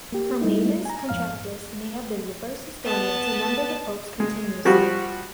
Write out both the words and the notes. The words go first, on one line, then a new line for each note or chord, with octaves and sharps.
Hermannus Contractus may have been the first historian to number the popes continuously.
A#3 G4
G3 A3 D#4 E4
G#5 A#5
F2 G#2 F5 F6
B3 A5
G#3
F3 G3 F#4